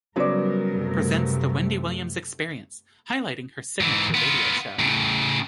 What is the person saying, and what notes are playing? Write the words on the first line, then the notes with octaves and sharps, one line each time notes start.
Presents "The Wendy Williams Experience", highlighting her signature radio show.
C#3 F#3 G3 B3 A#4 C5 D5
F#2 C3 A3
G#2 E3
B3 F4
A2 C#3